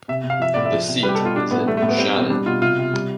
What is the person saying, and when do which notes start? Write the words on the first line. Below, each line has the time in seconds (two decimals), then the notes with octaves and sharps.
The seat is in Shannon.
0.08 C3 E5
0.24 C3
0.30 F5
0.40 F3 E5
0.54 A2 D5
0.66 E5
0.72 F3
0.88 C3
1.03 G3 B4
1.09 G4
1.15 A4
1.20 B2
1.25 F4
1.35 G3 D4
1.51 A2 B3
1.67 G3 A3
1.77 A3
1.82 A2
1.89 B3
1.98 G3 C4
2.15 B2 C4
2.30 G3 D4
2.46 B2 F4
2.62 C3 F4
2.78 C3
2.93 G3